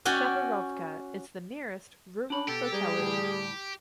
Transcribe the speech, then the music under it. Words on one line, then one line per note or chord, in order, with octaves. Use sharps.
Shaparovka is the nearest rural locality.
C#4 F#4 D5 G5
D4 B5
B2 G4 A4
G3 G#4 A#4
D2 A2